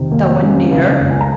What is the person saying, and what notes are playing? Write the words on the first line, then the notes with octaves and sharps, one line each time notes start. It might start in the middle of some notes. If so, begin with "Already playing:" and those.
No one near.
Already playing: C3 D#3
A#3
C#4
C#3 F5
C#2
G#5
A#5